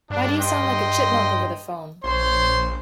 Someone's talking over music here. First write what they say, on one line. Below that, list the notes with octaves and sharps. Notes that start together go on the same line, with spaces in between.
Why do you sound like a chipmunk over the phone?
G2 D4
D#5 G5 C6
A#1 C5 C#5 C6